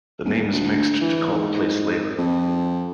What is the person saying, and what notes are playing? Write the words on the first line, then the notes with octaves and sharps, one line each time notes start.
The names mixed to call the place Leybourne.
D#1
D2
E3
G#2
F2